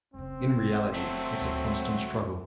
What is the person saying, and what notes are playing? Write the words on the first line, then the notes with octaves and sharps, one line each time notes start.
In reality, it's a constant struggle.
F1 C#3 C4
F#3 A3
D2 D#3